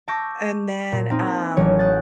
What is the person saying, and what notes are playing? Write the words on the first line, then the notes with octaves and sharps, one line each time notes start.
And then, um,
A5 C#6 D6 E6 G6 A#6
A#2
A#3 C4 D#4
A1 F#3 C#5
D#6 F#6 G6 A6